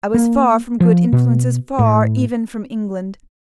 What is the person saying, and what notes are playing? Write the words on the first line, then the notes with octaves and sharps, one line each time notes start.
I was far from good influences--far even from England.
A#3
F3
B2
A2